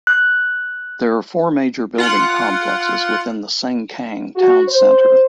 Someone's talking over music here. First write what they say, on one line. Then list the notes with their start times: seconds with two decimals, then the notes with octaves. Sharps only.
There are four major building complexes within the Sengkang Town Centre.
0.07 F#6
1.98 F4 F#5
4.36 F#4
4.67 C5